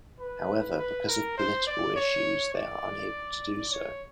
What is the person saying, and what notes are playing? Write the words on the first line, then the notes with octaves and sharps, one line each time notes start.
However, because of political issues, they are unable to do so.
B4
B4
A#4
C5
D5
C#5
D5
C#5